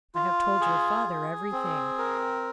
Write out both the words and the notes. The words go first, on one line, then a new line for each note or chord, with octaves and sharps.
"I have told your father everything."
F4
G#4
G#4
C4
A#4